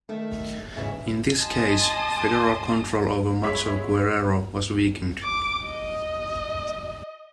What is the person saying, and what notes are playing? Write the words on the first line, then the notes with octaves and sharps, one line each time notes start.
In this case, federal control over much of Guerrero was weakened.
D#3 A3 E5
G#2 C#3 E3 E5
D#5 G#5 A5 C6 D#6
G#3 C#5 E5 B5 B6
D6
D#5